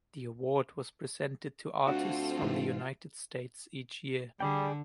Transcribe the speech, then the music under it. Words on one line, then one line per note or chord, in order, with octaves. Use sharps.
The award was presented to artists from the United States each year.
D2 C4 D4 F4 F#4 A4
G#2 E3
D3 G3 G#4 D5 G5